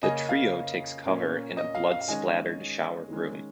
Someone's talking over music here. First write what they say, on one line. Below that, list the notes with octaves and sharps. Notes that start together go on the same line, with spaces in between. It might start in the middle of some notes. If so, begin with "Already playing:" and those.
The trio takes cover in a blood-splattered shower room.
C#3 A#3 C#4 D#5 G#5
F5
A#2 A#3 C#4
D#5
F5
F5
F5
D#3 G#3 C#4 D#5 G#5
D#3 G#3 C#4